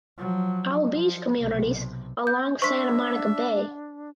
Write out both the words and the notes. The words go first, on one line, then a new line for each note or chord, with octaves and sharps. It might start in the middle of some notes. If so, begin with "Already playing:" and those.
All beach communities along Santa Monica bay.
F3 F#3
F3
B1 C3
G6
D4 C5 E5 C6 C#6 B6